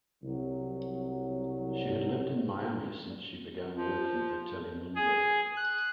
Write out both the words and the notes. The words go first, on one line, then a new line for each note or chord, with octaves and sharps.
She had lived in Miami since she began working for Telemundo.
C2 F#3
F3
G#4
F#6